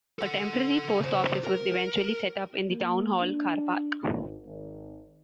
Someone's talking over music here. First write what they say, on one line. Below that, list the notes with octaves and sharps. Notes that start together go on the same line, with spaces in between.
A temporary Post Office was eventually set up in the town hall car park.
A4 F#5
C#3 C5
A#4
A#3
D4
G#1
G#1